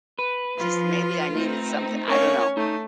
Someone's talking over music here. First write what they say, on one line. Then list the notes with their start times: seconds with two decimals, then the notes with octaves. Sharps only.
just, maybe I needed something I don't know.
0.19 B4
0.58 F3 F4
1.32 A3 C4 D#4
2.08 C#4 A#4 C#5 E5 F5
2.57 A3 D#4